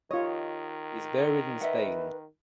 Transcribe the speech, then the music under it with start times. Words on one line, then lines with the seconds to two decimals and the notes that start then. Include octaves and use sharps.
He is buried in Spain.
0.11 D#3 F4 G4 C#5 D#5
1.61 B4 D#5 E5 F#5